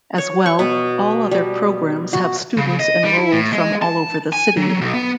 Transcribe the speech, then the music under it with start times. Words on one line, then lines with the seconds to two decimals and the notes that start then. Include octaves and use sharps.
As well, all other programs have students enrolled from all over the city.
0.18 C#5
0.46 C#6
0.59 B2
1.31 G3
2.13 F#4
2.57 C#3
2.80 D#5
3.04 G3
3.17 E4
3.32 A2
3.53 G#3
3.82 A5
4.33 G#5
4.57 F#3
4.81 B1
4.94 B3